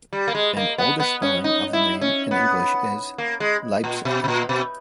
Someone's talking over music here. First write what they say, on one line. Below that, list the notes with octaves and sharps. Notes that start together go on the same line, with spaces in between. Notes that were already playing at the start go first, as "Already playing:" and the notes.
An older spelling of the name in English is Leipsic.
G3
A#3
G#3
A#3
B3
B3
C#4
D#4
E4
C#4
B3
A#3
G#3
A#2
B2
B2
A#2
B2